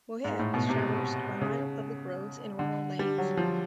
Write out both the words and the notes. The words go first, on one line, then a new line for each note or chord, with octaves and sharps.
Moher is traversed by minor public roads and rural lanes.
G#2
A2
B2
C3
C#3
D3
G3
F#3
F3